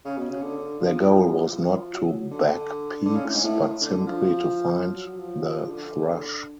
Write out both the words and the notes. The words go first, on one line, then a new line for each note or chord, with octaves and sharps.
Their goal was not to bag peaks but simply to find the thrush.
C#3
B2
C#3
D3
F3
F3
F#3
F#3
D3
D3
C#3
A2
G#2
A2
D3
D3
F3
F#3
F#3
F3
D3